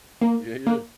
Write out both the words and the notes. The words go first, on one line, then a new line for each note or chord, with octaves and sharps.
Yeah, yeah.
A#3
A#3